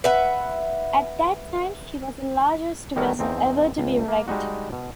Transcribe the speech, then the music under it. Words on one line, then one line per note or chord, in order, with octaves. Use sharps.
At that time she was the largest vessel ever to be wrecked.
B4 E5 F#5
D#3 G3 A3 F#4 A#4 C#5
E2 C4 D#4
C#2
A#3
G3 G#3 D#4 F#4
B2